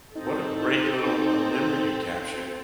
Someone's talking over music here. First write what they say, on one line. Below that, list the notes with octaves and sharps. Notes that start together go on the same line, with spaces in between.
what a great little, uh, memory you captured.
C4 D#4 A4